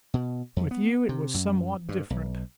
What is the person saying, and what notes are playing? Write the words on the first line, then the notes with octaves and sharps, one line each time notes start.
With you it was somewhat different.
B2
F2
B3
C3
F#2
G2
B1